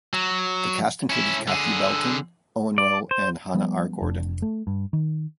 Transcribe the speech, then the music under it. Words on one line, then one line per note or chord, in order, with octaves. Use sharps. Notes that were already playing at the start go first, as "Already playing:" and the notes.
The cast included Cathy Belton, Owen Roe, and Hannah R. Gordon.
F#3
C#4 E4
D3 G#4
D5
C5
F3 G3 B3
F1 D4
A3
G2
D#3